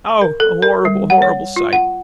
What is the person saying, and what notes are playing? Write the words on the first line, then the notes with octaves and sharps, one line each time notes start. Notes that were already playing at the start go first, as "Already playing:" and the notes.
O! a horrible, horrible sight!'
A#4
A4
A#4
G3
F#5
C#5
F4
F#5